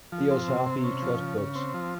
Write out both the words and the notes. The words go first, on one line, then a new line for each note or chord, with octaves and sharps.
Theosophy Trust Books.
F3
C4
C3
C3
C#4
F3
C#3
C#3
C4
F3